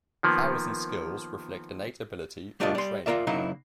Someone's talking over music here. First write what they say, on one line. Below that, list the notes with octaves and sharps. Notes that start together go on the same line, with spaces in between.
Powers and Skills reflect innate ability or training.
D#3 F3 A#3 B3
G3 A3 D4 F4 D5 D#5
G3 C6
F4 F#4 A#4 D5 E5
C#3 F#3 A#3 D#4 E4